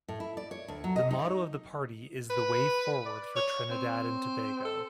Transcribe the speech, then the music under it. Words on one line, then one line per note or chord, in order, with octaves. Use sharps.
The motto of the party is The way forward for Trinidad and Tobago.
A2
E4
D5
C#5
D2
F#3
D#5
D#4
B4
D5
C#5
C4
A4